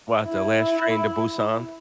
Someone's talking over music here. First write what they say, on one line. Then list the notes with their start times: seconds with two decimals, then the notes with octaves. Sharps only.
What, the last Train to Busan?
0.25 E4